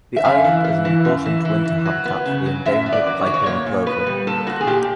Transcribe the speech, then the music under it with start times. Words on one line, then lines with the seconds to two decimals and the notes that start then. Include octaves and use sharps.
The island is an important winter habitat for the endangered piping plover.
0.16 E5
0.25 F#2 F5
0.44 E3
0.64 E3
0.85 E3
1.05 F#2
1.25 E3
1.45 E3
1.65 E3
1.85 F#3
2.05 B3
2.26 C#3
2.46 F#3
2.66 F#2 E5
2.86 B3
2.93 D5
3.06 F#3
3.20 C#5
3.26 F#3 D5
3.34 C#5
3.46 A#2 C#5
3.66 A#2
3.86 B3 B4
4.06 G3
4.27 A#2 A4
4.47 A#2 F#4
4.61 G#4
4.67 A#2 G4